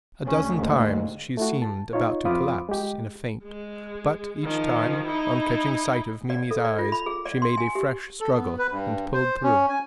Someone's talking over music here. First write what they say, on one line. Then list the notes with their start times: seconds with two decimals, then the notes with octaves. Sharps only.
A dozen times she seemed about to collapse in a faint, but each time, on catching sight of Mimi's eyes, she made a fresh struggle and pulled through.
0.24 D2 C#3 C#4
0.55 D#2 G#2
1.37 A3 E4 F#4
1.62 A5
1.93 D#4 F4 C#5
2.25 F2 F4 C5 B5 D6 D#6
2.69 G#3 G4
3.44 G#3
4.44 D#3 F3
5.06 D#4 E4
6.30 D5
6.51 A4
6.65 D5
6.79 F4
6.92 B5
7.06 G#4
7.25 D5
7.42 C6
7.57 G#5
7.75 G4
8.20 A4
8.34 B3
8.58 B4
8.71 G2
9.14 C5
9.44 C#4
9.69 G#5